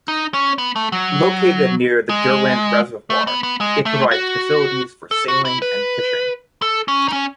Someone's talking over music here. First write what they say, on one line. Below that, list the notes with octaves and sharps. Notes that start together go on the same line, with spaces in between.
Located near the Derwent Reservoir, it provides facilities for sailing and fishing.
D#4
C#4
B3
A3
F#3
G#3
A3
B3
B3
G#3
A3
F#4
A4
F#4
E4
B4
A4
C#4
D#4
C#4